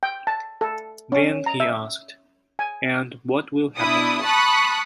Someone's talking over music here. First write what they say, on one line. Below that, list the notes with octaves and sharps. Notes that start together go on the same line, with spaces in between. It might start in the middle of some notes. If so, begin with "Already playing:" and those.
Then he asked: "And what will happen?"
G5
A5
A4
C#4
A#5
E5
G#5
B2 D4 E4 D#6
A5 B5 C#6 D#6 F#6